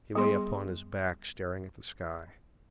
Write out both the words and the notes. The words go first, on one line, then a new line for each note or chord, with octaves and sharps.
He lay upon his back staring at the sky.
G3 B3 G#4 C6